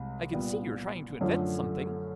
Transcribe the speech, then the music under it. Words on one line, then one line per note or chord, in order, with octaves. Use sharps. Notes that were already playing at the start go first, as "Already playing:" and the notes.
'I can see you're trying to invent something!'
Already playing: C2 C3 G#3
A#2 G3 B3
F#2 D3 F3 A3 C#4